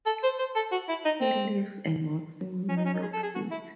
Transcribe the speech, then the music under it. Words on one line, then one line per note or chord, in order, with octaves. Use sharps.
He lives and works in New York City.
A4
C5
C5
A4
F#4
E4
D#4
C4
C#4
D#4
C#4
D#4
G#4
A4
G#4
F#4
E4